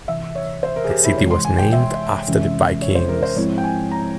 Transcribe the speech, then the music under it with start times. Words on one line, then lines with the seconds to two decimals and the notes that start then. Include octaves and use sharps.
The city was named after the Vikings.
0.08 C2 C3 E3 E5
0.35 C#5
0.63 C5
0.76 A#4
0.84 G#4
0.90 G4
1.04 E4
1.17 C3 E3 G#3 C#5
1.31 C6
1.45 G#5
1.59 G5
1.72 E5
2.27 E2 C3 E3 G#3 C#4
2.82 C#5
2.95 C5
3.09 A#4
3.23 C5
3.36 G#2 F3 G#3 C4 E4 C#5
3.58 G5
3.64 G#5
3.91 A#5